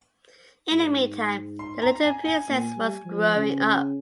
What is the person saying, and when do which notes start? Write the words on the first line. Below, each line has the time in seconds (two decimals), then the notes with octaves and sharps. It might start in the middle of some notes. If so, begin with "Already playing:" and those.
In the meantime, the little princess was growing up.
0.71 G#2
1.59 C6
1.82 A#5
2.03 G#5
2.25 G#5
2.48 A#2
2.77 G3
3.05 F3
3.34 C#3